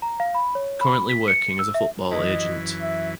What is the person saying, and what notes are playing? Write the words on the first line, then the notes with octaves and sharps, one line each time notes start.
Currently working as a football agent.
A#5
F5
B5
C#5
B5
B6
C#7
E6
E5
F#2 E3 D#5
E5